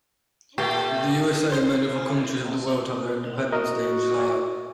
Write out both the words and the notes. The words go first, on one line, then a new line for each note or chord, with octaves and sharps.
The USA and many other countries of the world have their independence day in July.
A#2 A3 G4
C5
F#4 A#4 D#5